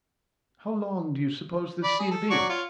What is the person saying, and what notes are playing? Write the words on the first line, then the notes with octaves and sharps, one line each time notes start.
"How long do you suppose this sea to be?"
D5 B5
G#4
A4
F#3 D5 C#6
F4 C#5